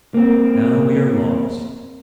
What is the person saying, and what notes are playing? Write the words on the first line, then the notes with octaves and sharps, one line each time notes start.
"Now we are lost."
A#3 C4